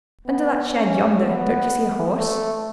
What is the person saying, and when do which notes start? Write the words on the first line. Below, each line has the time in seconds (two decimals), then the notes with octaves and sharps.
"Under that shed yonder, don't you see a horse?"
0.27 B3
0.74 C#4
1.22 B3
2.18 A3